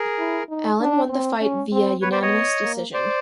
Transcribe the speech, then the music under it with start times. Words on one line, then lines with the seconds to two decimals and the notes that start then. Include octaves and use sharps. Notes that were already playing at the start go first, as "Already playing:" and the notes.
Allen won the fight via unanimous decision.
Already playing: G#4 A#4
0.19 E4
0.49 D#4
0.80 D4
1.10 C4
1.41 C#4
1.72 C4
2.02 B3 B4 C#5
2.12 C5 D5
2.22 C#5 D#5
2.63 A#3
2.94 C5 D5